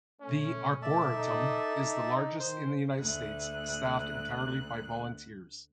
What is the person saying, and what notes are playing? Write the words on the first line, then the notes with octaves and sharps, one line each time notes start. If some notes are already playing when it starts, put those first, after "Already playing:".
The arboretum is the largest in the United States staffed entirely by volunteers.
A3 C#4
A3 D5 E5 A5
D#4 A4
D#4
D#3 C5
D2 F#6